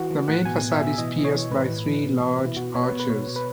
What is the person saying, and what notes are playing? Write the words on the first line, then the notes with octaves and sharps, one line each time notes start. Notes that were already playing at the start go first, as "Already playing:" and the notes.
The main facade is pierced by three large arches.
Already playing: E3 F#4
E3
A2 F#5
B2 G#5
B2
E5
B2
E3 D#5
E3
C#5
E3
A2 B4
E3
E3
B2
B2
B2
E4
B2 F#4
B2 C#5
B4
B2
B4
B2 C#5
B2
B4